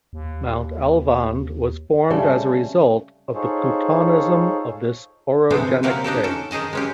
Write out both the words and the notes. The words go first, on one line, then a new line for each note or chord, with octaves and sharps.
Mount Alvand was formed as a result of the plutonism of this orogenic phase.
D#2
C#3 G3 A3
D#4 F4 G#4 A4 C5 C#5
C3 E3 G#3 B3 C4 D4
C3 F#3 A#3 C4 G4
D4 D#4 G4 A4
C#4 A4
D#3 D#4 G#4 D#5 A5
G#3 C#4 G4